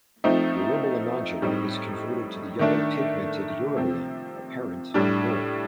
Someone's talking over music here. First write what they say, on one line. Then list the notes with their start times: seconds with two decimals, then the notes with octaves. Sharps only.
Urobilinogen is converted to the yellow pigmented urobilin apparent in urine.
0.24 F3 A3 C4 D#4
1.42 A2 G3 C4 D#4
2.59 D#3 A3 D4
3.76 C3 F3 C4
4.94 A2 G3 D4